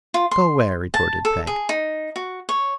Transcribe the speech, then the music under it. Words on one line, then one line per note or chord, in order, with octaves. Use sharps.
'Go where?' retorted Peg.
F4
C6
A5
A4
G#4
D#4
F#4
C#5